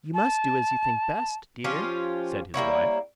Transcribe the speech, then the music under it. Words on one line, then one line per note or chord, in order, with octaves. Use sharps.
'You must do as you think best, dear', said his wife.
A5
F3 C#4 F4 G4
G3 A#3 E4 C#5